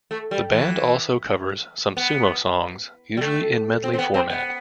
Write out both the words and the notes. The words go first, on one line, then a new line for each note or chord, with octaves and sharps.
The band also covers some Sumo songs, usually in medley format.
A3
G3
E3
B3
G3
A3
C4
C4
B3
C4
B3